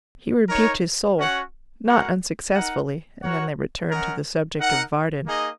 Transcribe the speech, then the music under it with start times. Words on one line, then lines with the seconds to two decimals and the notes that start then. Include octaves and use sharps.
He rebuked his soul, not unsuccessfully, and then they returned to the subject of Varden.
0.49 D#4 A#4 C#5
1.17 C#4 F#4 C#5 F#5
1.85 G#3 F#4 A#4 F#5
2.54 D#4 A#4 F#5
3.21 F#4 A#4 C#5 F#5
3.90 C#4 A#4 D#5 F#5
4.58 D#4 A#4 F#5
5.25 A#3 D#4 G#4 D#5